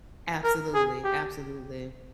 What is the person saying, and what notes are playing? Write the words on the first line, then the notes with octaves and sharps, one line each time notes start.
Absolutely. Absolutely.
A#4
G#4
G4